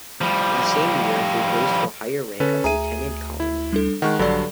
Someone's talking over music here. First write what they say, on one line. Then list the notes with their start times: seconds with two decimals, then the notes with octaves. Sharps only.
In that same year, he was raised to a higher rank of lieutenant colonel.
0.21 F3 G3
2.40 D3 C#4 A4 B4
2.64 D2 G#4 E5 G#5 A#5 D#7
3.40 E4
3.73 G3 D4 A4
4.02 D#3 G#3 F#5 C#6 F#6
4.19 A#1 G2 D3 F#3 A4 D5